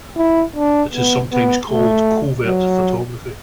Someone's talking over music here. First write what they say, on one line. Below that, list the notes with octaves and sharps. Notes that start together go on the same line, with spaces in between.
It is sometimes called covert photography.
E4
D4
B3
B3
A3
F#3